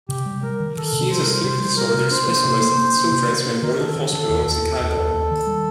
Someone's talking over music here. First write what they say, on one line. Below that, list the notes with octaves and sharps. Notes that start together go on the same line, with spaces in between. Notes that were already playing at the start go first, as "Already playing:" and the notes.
He is a sleep disorders specialist at the Children's Memorial Hospital in Chicago.
C3 G4
G3
G3 A#4
D#3
D#3 A4
C3
G3 C5
A#4
G3
C5
C3 C5
G3
G3 A#4
C3
D4 C5
A#3
C3
A#3
A#3
D4
C3
A#3
D4
D#3 A#4
D4 A4
D#3
D#3 A4
D#2
D#2 A4
D#2
D#2 A4
D#2
D#2
D#3
G3